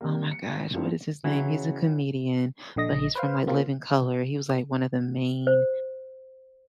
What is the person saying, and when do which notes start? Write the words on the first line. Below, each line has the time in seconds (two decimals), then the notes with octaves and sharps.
oh, my gosh, what is his name? He's a comedian, but he's from, like, Living Color. He was, like, one of the main
0.01 C3 G3 A#3
0.31 C#7
0.73 G2 D3 F3 A#3 C4 E4
1.24 C#3 E3 F#3
2.76 A#1 D3 D#5 A#6
3.15 B4 C5 F5
3.47 C#3 A#3 C4 F4
5.47 C5